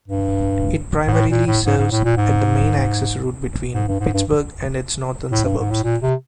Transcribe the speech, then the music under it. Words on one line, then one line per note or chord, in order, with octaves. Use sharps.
It primarily serves at the main access route between Pittsburgh and its northern suburbs.
G2
G#2
A2
A#2
A2
G#2
G#2
A2
A#2
G#2
G#2
G2
G#2
G2
A2
G2
G#2
A2
A#2
C3